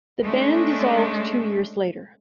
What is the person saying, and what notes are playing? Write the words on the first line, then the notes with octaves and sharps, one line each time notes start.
The band dissolved two years later.
G#3 A3 C#4 D4